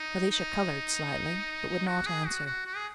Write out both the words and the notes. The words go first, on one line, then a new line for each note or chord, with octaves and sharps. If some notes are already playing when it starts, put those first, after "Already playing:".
Felicia colored slightly, but would not answer.
Already playing: D#4
D#4
F#4
G#4
F#4
F#4
F#4
G#4